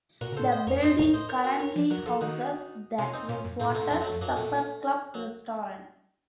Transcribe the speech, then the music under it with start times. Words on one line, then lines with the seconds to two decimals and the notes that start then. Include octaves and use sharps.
The building currently houses the Rosewater Supper Club Restaurant.
0.21 A#2 F#4 A#4
0.32 C#3
0.37 A2 A4 C5
0.52 C5 D#5
0.67 F2 A#4 C#5
0.82 F#2 C5 D#5
0.98 F2 A#4 C#5
1.13 A2 C5 D#5
1.29 A#4 C#5
1.44 F#4 A#4
1.60 A#4 C#5
1.76 F3
1.90 F#3 F#4 A#4
2.06 F3 F4 A4
2.21 D#3 D#4 F#4
2.98 C3 C#4 F4
3.14 C4 D#4
3.28 A#2 C#4 F4
3.44 F#2
3.60 A2 A3 C4
3.70 A#2
3.75 A3 C4
3.80 A2
3.90 F2 A3 C4
4.00 F#2 F#3
4.06 F2 A3
4.21 F#2 F#3 A#3
4.36 A#2 A3
5.14 F#3